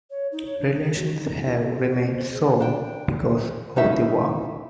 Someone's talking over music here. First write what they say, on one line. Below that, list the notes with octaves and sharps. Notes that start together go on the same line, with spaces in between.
Relations have remained sour because of the war.
C#5
D#4
C#5
D4
F#4
D#4
E4
A4
C5
C4
C5
G#4
D4 G5
C#4 D#4 E4 E5